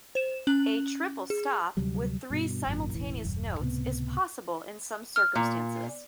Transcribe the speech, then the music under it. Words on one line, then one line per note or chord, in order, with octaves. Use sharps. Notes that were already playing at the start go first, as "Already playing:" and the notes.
A "triple stop" with three simultaneous notes is possible in some circumstances.
C5 E7
C#4 F#6 F#7
G#4
D2 C3 F#3 G3
G2 B2
G#1 F#2 A#2
E1 A1 E3
D#1 F#2
C#2 A2 C3 B3
F6
A#2